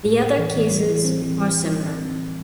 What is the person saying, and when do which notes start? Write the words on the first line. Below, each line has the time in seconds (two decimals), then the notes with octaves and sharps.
The other cases are similar.
0.06 A2
0.22 A2
0.39 E3
0.56 E3
0.72 G3
0.88 E3
1.05 C4
1.22 E3